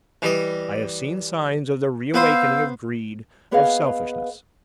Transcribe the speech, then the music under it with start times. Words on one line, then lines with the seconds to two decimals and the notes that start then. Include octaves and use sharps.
I have seen signs of the reawakening of greed, of selfishness.
0.22 E3 G3 D#5
2.14 B3 B4 C5 F5 E6 G6
3.51 A#3 B3 G#4 B4 D#5 F5